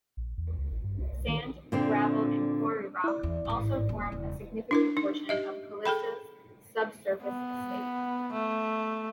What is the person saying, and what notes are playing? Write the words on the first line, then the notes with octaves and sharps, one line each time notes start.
Sand, gravel, and quarry rock also form a significant portion of Calista's subsurface estate.
A#1
E2
C#2
A1
G2
C2
B1
D#3
A#2 D3 C4
E4 D5
E2
A1 G#2
D#1
E1 C#3
D4 E4 A#4
D#4
G4 D#5 E5
G#4 A4 G5 B5
B3
A3